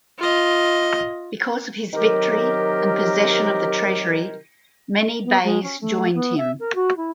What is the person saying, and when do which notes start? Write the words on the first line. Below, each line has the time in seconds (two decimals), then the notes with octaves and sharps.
Because of his victory and possession of the treasury many beys joined him.
0.18 F4 D#5
1.94 C3 D#3 F#3 G4 A#4
5.25 B3
5.44 G#3
5.63 C#4
5.81 A3
6.15 B3
6.37 E5
6.60 A#4
6.75 F#4
6.97 E4